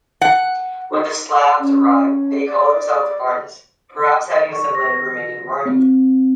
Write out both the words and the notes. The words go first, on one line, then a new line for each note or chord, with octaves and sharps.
When the Slavs arrived, they called themselves the Varnes, perhaps having assimilated remaining Varni.
F#5
C#4
D5
C#6
A#6
C4